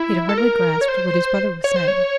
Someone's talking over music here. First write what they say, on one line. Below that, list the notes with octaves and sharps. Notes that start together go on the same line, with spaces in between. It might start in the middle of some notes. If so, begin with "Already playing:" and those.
He had hardly grasped what his brother was saying.
Already playing: E4
A4
A#4
C#5
C5
C#5
C5
C#5